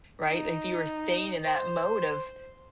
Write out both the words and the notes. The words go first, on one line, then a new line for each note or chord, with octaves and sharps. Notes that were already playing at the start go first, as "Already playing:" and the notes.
right? If you are staying in that mode of
D#4
C5